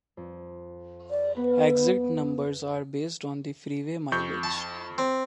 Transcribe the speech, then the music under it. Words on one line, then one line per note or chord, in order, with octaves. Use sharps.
Exit numbers are based on the freeway mileage.
F2
D5
B3 B4
F2 C#6 G6
A5
C4